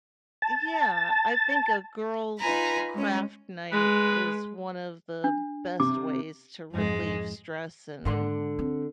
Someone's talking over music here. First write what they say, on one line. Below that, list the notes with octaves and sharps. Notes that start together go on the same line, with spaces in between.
Yeah, I think a girls' craft night is one of the best ways to relieve stress and
A5
D#4 F4 B4 G#5 A#5 B5
G#3 C#4
G#3 B4
D4
C3 D6
F2 G#2 G#3
G#2 D3 D#3 F#5 C6
C4